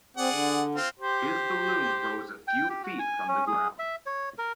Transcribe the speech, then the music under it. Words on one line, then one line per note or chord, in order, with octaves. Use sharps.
His balloon rose a few feet from the ground.
C4 G#4 D5 F#5
D3
C4 F4 F6
G4 C5
G5
G4
F#4
G#5
C#4
G#4
E5
C#5
A#4